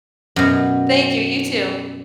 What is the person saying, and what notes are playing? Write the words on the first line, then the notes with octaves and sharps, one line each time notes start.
Thank you, you too.
F#2 B2